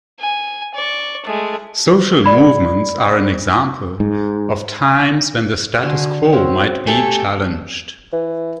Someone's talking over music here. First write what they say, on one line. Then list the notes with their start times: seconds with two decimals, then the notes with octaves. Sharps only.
Social movements are an example of times when the status quo might be challenged.
0.20 G#5
0.74 D5 C#6
1.26 G#3 A3
2.24 D5 B5 G#6
4.00 G#2
5.83 D3 F#4 G#5 C6
6.33 C4 C#4 F#4 C5
6.87 A3 G4 A4 G#5
8.13 E3